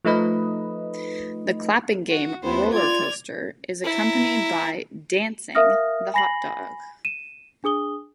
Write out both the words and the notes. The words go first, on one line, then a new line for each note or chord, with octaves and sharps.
The clapping game "roller coaster" is accompanied by "dancing" the "hot dog".
F3 A3 D#4 B4 D#5
F#4
D#2 B3 C4 E4 C5
F4 D5 G#6 F7
E4 A#5
A#4 E5 F5 D#6 F6 A#6
G#5 B5 A#6 C7 F#7
D#7 E7
D4 G#4 D#6 G7